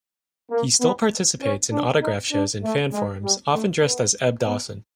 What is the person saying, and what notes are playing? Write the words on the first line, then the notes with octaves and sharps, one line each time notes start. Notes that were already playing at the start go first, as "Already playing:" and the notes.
He still participates in autograph shows and fan forums, often dressed as Eb Dawson.
A#3
B3
C#4
D4
D#4
D4
A3
G#3
G3
A3
B3
B3